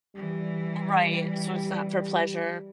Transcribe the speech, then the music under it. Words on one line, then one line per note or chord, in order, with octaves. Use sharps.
Right, so it's not for pleasure.
E3 G3